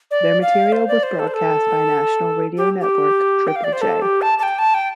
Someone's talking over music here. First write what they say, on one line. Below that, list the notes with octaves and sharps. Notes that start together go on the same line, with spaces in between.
Their material was broadcast by national radio network, Triple J.
D5
F5
C5
D5
C5
A4
C5
A4
G4
G4
G5
F5
D5
C5
A4
G4
A5
A5
G5
A5
G5